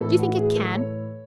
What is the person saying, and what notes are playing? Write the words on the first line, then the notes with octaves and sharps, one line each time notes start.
Do you think it can?
A2 E3 A4
F#4
G#4
A4
C#5